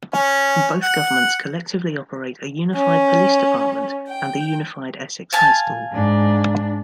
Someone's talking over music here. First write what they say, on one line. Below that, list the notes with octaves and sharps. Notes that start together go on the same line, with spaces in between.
Both governments collectively operate a unified police department and the unified Essex High School.
C#4
F#5
C#4
G5
F5 G#5 A5
G#2 D4